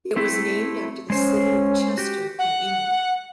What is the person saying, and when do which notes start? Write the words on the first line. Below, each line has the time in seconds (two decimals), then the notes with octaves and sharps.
It was named after the City of Chester in England.
0.16 A3 C4 E4
1.10 G#3 C#4 C5
1.98 F#4 G4
2.39 F#5